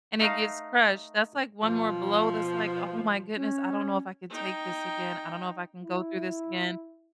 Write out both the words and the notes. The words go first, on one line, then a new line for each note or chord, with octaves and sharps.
and it gets crushed, that's like one more blow that's like, "Oh my goodness, I don't know if I could take this again, I don't know if I can go through this again."
A3 D#4 F5
B2 F3
C#4
D#4 G5
E4